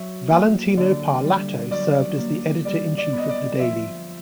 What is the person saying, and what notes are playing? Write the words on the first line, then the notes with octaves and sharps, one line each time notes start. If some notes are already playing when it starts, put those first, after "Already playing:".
Valentino Parlato served as the editor-in-chief of the daily.
Already playing: F#3 E5
A#3
D3 D5
G3
F#3 D5
A#3
G3 D5
D5
B3
D#5
D5
F3 E5